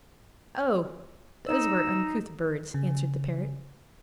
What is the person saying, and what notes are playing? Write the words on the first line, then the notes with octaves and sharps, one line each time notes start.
"Oh! those were uncouth birds," answered the Parrot.
D#4 E6
C#3